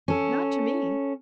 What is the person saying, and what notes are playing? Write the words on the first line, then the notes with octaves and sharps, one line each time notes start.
"Not to me."
C#4 A4